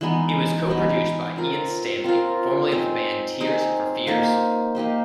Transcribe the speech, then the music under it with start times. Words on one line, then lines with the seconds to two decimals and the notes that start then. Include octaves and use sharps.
It was co-produced by Ian Stanley, formerly of the band Tears For Fears.
0.01 E3 G#3 B3 D#4
0.68 E3 G#3 B3 D#4
1.36 C4 F4 A#4
2.04 C4 F4 A#4
2.72 C4 D#4 G#4
3.40 C4 D#4 G#4
4.07 A#3 D#4 G4 C5
4.75 A#3 D#4 G4 C5